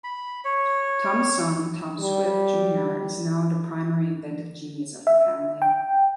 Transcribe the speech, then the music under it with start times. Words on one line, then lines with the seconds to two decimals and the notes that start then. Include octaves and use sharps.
Tom's son, Tom Swift, Junior is now the primary inventive genius of the family.
0.04 B5
0.44 C#5
2.00 G3
5.07 E5
5.62 G5